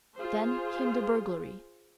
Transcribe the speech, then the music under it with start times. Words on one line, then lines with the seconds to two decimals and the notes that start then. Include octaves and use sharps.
Then came the burglary.
0.17 F4 G#4 C5